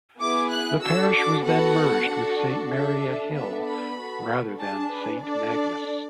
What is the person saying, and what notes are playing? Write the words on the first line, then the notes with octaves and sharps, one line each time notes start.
The parish was then merged with Saint Mary at Hill rather than Saint Magnus.
B3 E4 G#4 D6
F#6
D4 F#4 A4 E6
D6
B3 F#4 A4 F#5
D4 F#4 A4
D4 A4 E5
B3 D4 A4 E5
B5
B3 F#4 A4
D4 G#4 A5
B4
D4 A4 D5